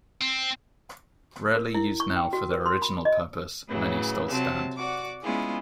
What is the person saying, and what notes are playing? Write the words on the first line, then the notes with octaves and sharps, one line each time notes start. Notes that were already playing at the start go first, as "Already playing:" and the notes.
Rarely used now for their original purpose many still stand.
C4
A#4
E4
C#6
G5
F#4
A#4
C6
B5
D#5
A2 C#3 E3 F#3
C3 F#3 C4 A5
F#4 D5 F#5 D6
G#3 B3 C#4 E4 F4 G#4